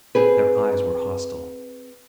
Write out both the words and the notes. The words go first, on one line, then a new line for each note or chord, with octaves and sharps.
Their eyes were hostile.
C4 G#4 B4